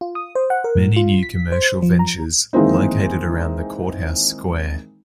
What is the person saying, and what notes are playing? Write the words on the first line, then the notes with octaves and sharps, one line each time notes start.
Many new commercial ventures located around the Courthouse Square.
F4
D#6
C5
F#5
A#4
A2
F4
B6
C5
F3
A#5
D#3 E3 G#3 A#3 C4 D#4